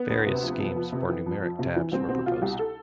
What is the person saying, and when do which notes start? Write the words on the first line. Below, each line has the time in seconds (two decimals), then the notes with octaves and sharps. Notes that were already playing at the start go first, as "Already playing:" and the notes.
Various schemes for numeric tabs were proposed.
Already playing: B3
0.09 D2
0.27 C3
0.43 F3
0.60 F2
0.76 F2
0.92 C3
1.09 E3
1.26 F2
1.42 F2
1.59 C3
1.76 E3
1.92 C2 C4
2.08 B2 C4
2.26 B2 F4
2.42 C2 G4
2.59 A4